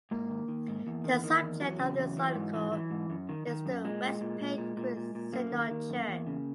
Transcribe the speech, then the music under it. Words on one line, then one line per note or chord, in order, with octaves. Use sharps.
The subject of this article is the West Paint Creek Synod Church.
G#2 A#3
D#3
D#3
G#2
E2
D#3
D#3
E2
E2 F#3
C#3
E2
E3
G#2
E3
E3
G#2
F#2
D#3
D#3
F#2
A#2 G#3
A#2
A#2
A#2
A#2
A#2
A#2
A#2
F#2 A#3
D#3
D#3
F#2
E2
C#3